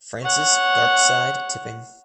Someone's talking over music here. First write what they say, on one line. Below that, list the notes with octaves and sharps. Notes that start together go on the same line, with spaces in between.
Francis Gartside Tipping.
C#5 F#5